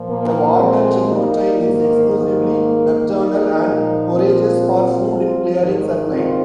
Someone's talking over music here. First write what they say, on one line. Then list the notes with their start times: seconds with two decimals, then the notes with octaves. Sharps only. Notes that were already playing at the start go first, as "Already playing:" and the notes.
The water chevrotain is exclusively nocturnal, and forages for food in clearings at night.
Already playing: A#2 F3
0.09 A#3
0.59 G#3 C4
1.10 A#3 D#4
1.59 G#2 D#3 A#3
2.09 A#3
3.09 A#3 D#4
3.61 A#2 F3
4.10 C4 F4
5.60 G#2 D#3
6.10 C4 F4